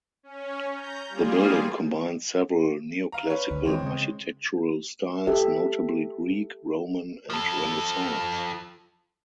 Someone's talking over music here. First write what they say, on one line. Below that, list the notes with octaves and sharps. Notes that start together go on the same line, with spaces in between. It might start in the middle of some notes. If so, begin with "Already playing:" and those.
The building combines several neoclassical architectural styles, notably Greek, Roman and Renaissance.
C#4
A#5 G6
G3 A#3 F4 G#4
F5 A#5
C#4 B4 C#5
D2
D#2 E3 G#3 C4 C#5
C#3 G#3
G4 A4 E5
F3 A4